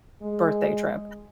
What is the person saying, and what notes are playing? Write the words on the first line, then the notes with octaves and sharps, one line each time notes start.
birthday trip
G#3